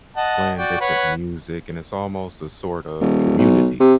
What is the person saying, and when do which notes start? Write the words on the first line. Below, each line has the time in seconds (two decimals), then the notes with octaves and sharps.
playing different music, and it's almost a sort of community.
0.17 D#5 F#5 A5
0.57 F#4 D5 G5
0.81 B4 C#5 F#5
3.01 D#1
3.38 B1
3.80 C3